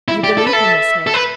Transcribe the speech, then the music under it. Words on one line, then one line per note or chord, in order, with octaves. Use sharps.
You believe me, Miss Hale?'
E4
G4 D5
A4
B4
A4 E5
A4
B4